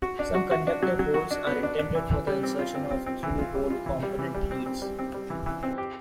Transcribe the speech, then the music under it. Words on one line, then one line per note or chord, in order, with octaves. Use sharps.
Some conductive holes are intended for the insertion of through-hole-component leads.
F#4
D4
F#4
F#4
D4
F#3
F#3
F#4
D4
B3
D4
D4
E3
E3
G3
C4
F4
C4
C4
C4
E3
F4
G3
F4
E3
G3
E3
G3
C4
C4
G3
C4
G3
E3
E3
C4
G4